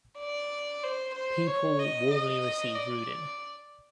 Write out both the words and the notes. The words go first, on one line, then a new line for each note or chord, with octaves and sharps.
People warmly receive Rudin.
D5
C5
C5
C#5
D#5
D#5
D5